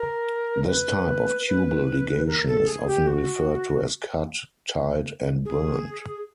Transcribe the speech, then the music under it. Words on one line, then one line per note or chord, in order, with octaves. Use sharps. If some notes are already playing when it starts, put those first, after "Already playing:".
This type of tubal ligation is often referred to as cut, tied, and burned.
Already playing: A#4
B4
B4
A#4
A4
G#4
G4
F#4
G#4